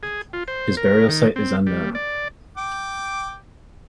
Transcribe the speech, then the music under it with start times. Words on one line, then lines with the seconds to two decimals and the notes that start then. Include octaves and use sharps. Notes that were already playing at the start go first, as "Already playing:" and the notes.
His burial site is unknown.
0.03 G#4
0.33 F4
0.48 C5
0.77 A#4
1.08 D#3
1.36 C4
1.67 G3
1.95 D5
2.57 G5 D6